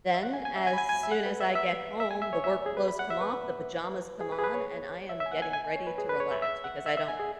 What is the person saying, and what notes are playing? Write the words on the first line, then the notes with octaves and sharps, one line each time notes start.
then as soon as I get home, the work clothes come off, the pajamas come on, and I am getting ready to relax because I don't
E5
F#5
G#5
G#5
E5
G#5
B5
G#5
G#5
E5
F#5
B4
E5
E5
E5
G#5
E5
C#5
E5
G#4
B4
B5
F#5
E5
B4
G#4
B4
G#4
B4
C#5
E5
E5
G#5
F#5
G#5
G#5
G#5
C#5
B4
G#4
B4
C#5
E5
E5
F#5
E5
E5
G#5
G#4